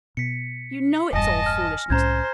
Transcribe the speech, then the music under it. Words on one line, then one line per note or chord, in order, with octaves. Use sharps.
You know it's all foolishness.
B2 B6 C#7
E1 G2 D#5 G#5 A5 A#6
F6
C2 A2 C#4 C5 A#5 G6 G#6